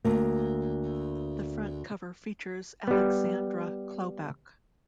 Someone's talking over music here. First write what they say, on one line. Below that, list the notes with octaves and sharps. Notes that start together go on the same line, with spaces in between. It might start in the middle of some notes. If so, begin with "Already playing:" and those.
The front cover features Alexandra Klobouk.
D2 A#3
G3 B3